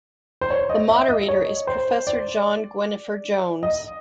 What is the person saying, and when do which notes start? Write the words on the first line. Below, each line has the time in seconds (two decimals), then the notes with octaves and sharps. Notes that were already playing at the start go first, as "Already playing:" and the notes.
The Moderator is Professor John Gwynfor Jones.
0.41 C5
0.50 C#5
0.69 D#5
0.89 E5
1.09 D#5
1.28 C#5
1.67 C5
2.07 D5
3.63 D#5